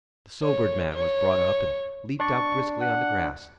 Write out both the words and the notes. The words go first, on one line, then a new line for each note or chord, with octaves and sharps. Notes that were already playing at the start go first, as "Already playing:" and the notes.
The sobered man was brought up and leaped out briskly on the grass.
C#5
C#5
D4 D5 C#6
F#5